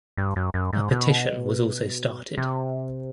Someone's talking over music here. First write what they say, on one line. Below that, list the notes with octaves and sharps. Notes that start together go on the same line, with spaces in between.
A petition was also started.
G2
F#2
F#2
G#2
B2
C3